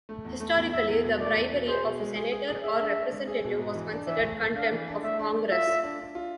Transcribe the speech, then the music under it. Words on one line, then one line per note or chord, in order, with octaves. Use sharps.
Historically, the bribery of a senator or representative was considered contempt of Congress.
A3
E2
A3
E2
E2 E5
E2
B2
A3 D5
E2
B2
G#4 C5
B2
G#3
G#4
G#4
G#4
G#4 E5
D4
D4
G#3
G#4
B2
G#2
E3
D4
E3 E5
A3
A3
D4 F5
E3
D4
A3 E5
D4
A3
F4 E5
F4
D4
D4
F4